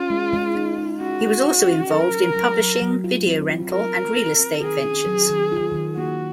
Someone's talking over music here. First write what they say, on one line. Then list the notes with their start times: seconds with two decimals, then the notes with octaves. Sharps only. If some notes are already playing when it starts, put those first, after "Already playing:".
He was also involved in publishing, video rental, and real estate ventures.
Already playing: C#4 F4
0.10 G#3
0.33 G#3
0.55 D#4
0.78 D#4
1.01 C#4 F#4
1.23 G#4
1.46 G#3
1.68 C#4
1.91 F#3 A#4
2.13 F#3
2.36 F#3
2.59 F#3
2.82 F#3
3.04 F4
3.27 C4
3.49 F4
3.71 F#3 A#4
3.94 F#3
4.16 C4
4.39 C4
4.61 D#3 G#4
4.84 C#4
5.07 F#3
5.30 D#3
5.52 F4
5.75 D#3
5.97 A#3 F#4